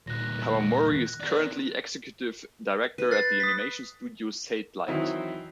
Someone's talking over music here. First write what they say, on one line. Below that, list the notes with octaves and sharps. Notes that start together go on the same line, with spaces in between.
Kawamori is currently executive director at the animation studio Satelight.
E2 A#2 F#6 A#6
B3 D5
B4
F#6 A6 C7
D#6 B6
D#3 E3 F#3 C4 E4